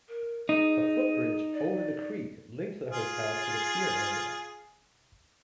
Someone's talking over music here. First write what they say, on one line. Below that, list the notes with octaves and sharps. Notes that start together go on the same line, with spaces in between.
A footbridge over the creek linked the hotel to the pier area.
A#4
D#4 G#4
D5
F4 G#4